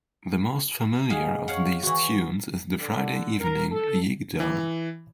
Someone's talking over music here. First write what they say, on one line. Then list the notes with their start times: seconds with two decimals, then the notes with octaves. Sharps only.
The most familiar of these tunes is the Friday evening "Yigdal".
1.10 G#4 D#5 F5 F#5
1.48 C#5 F5 F#5
1.83 E3 F#4
2.79 D3
3.40 A#4
3.72 A4
4.40 E3